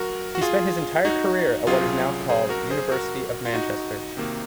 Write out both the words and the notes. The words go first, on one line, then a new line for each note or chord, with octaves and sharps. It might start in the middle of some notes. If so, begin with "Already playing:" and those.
He spent his entire career at what is now called University of Manchester.
Already playing: F#3 F#4 A#4
F#4
F4 G#4
D#4 F#4
C2 C3 F#3 C#4 F4 G#4
G#4 C5
F#4 A#4
G#4 C5
F#4 A#4
F4
D#4 F#4
C3 D#3 A#3